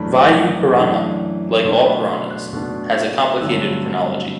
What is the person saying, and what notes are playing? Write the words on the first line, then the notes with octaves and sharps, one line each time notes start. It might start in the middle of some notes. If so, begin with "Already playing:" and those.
Vayu Purana, like all Puranas, has a complicated chronology.
Already playing: F#2 E3 A3 D4 B5
F#2 E3 A3 D4
B2 A3 D4 C6
B5
C6
F#6
B2 A3 D4
F#6
G2 D3 F#3 A3 C4 E6